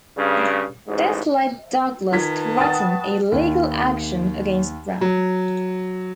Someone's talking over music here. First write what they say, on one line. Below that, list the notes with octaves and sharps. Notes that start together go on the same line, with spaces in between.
This led Douglas threaten a legal action against Brown.
G2 C#3
A1 G#2
D#3 F4 B4 A5 G#6 B6
F#4 F#5 G5 D#6 A6
D#2
F#3